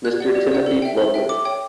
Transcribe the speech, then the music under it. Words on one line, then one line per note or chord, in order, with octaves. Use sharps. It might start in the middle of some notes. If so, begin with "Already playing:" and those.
Mr. Timothy Bloodworth.
G4 F#6
D5 F#5
G4
D5 F#5
A4
E5 G5
A4
E5 G5
A4 D6
C#5 G5